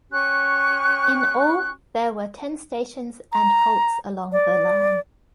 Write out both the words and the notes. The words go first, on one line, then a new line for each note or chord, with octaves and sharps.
In all there were ten stations and halts along the line.
C#4 G4 C#6 F#6
A#5
D5